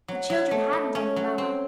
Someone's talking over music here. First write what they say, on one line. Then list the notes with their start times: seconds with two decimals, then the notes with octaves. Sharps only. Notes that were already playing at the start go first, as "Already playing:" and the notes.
The children hadn't any Mamma.
0.08 F#3
0.30 F#3
0.51 A3
0.73 A3
0.95 C#4
1.16 F#3
1.38 C4